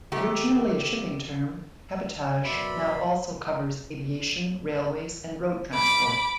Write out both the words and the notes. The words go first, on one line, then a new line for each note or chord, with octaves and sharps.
Originally a shipping term, cabotage now also covers aviation, railways, and road transport.
D#3 A3 G4
F#2 B2 D5 E5 B5 C6
B5 D6